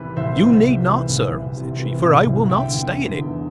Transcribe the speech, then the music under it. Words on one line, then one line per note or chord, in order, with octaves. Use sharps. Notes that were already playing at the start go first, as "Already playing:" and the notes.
You need not, sir, said she; for I will not stay in it.
Already playing: C2 C3 E3 G4 B4
C2 C5 E5
C2
C3
E3
C2
C2
C3
E3
C2
C2
D3 E5 G5
E2
D3
E2